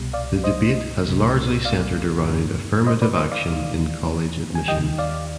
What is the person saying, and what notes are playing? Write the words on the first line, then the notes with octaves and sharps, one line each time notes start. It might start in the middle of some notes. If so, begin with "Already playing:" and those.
The debate has largely centered around affirmative action in college admissions.
Already playing: C2 B2 G3
D5 F5
C5 D#5
C2 C3 G3
D5 F5
G2 D3 G3
C5 D#5
B4 D5
C5 D#5
D5 F5
D#2 D#3 G3
G#5
D#2 D#3 G3 D#5 G5
D5 F5